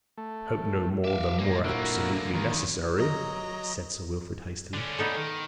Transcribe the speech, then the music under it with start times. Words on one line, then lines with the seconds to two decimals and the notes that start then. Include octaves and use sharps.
"I hope no more than were absolutely necessary!" said Sir Wilfrid, hastily.
0.17 A3
1.04 E5 F5 D6
1.38 G#2 A#3
1.64 A#2 D3 A#3 E4 F#4
2.34 E2 D#3 A#3
2.98 F#3 D#5 A#5
4.74 D3 C#4
4.99 B3 D#4 A4
5.16 D#3